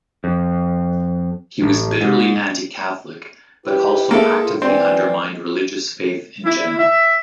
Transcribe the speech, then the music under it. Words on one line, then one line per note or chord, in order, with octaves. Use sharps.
He was bitterly anti-Catholic but also actively undermined religious faith in general.
F2
A1
G#2
E4 G4 B4
A#3 G#4 A4 E5
A2 E4 F4
E3 C4 D5
E4
E5